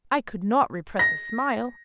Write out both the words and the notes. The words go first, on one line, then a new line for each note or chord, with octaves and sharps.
I could not repress a smile.
A#6